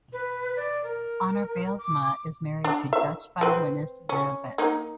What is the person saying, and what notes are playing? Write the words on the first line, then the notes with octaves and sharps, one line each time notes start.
Anner Bylsma is married to Dutch violinist Vera Beths.
B4
D5
A#4
D6
D4
E5
C4 B4
C#4
A#3 D#4